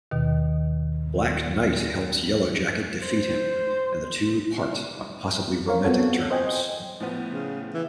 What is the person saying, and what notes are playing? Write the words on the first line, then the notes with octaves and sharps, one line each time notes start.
Black Knight helps Yellowjacket defeat him and the two part on possibly romantic terms.
D#2 B2 D#3
C5
A#4 C#5 F5
B3 C4 F4 F#4 A4 C#5
C5 D#5 G5 G#5
A2 F3 B3
C#3
E3